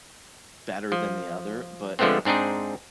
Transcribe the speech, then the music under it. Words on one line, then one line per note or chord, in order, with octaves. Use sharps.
better than the other, but
F3
D3 F3 G#3 A3 B3 C4
G#2 C4 D4 D#4 G#4